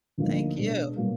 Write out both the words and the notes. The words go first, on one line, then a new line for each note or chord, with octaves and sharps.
Thank you.
D2 D3 F3 A#3 D#4
B2 G#3 D4
B2 F#3 A#3